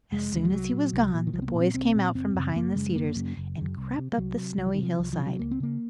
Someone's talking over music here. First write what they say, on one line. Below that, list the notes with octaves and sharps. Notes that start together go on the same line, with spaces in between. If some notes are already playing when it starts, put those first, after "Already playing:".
As soon as he was gone, the boys came out from behind the cedars, and crept up the snowy hillside.
F1 G#3
D#2 C#3
F3
C2 F#3
A#2
C2
A#2
D#3
C2 F3
C4
A#3
A#2
C4
C2 C4
A#2
F#1 C4
F#2 C#3
F#1 A#3
F#2 C#3 G#3
F#1 A#3
F#2 C#3
F#1
F#2 C#3
C2
C3
G#3
C2 F#3
C3
C2 F#3
F3
D#3
C3 F3
C2 F3
F3
C3
F#3
C#2 A#3
C4
C#3 A#3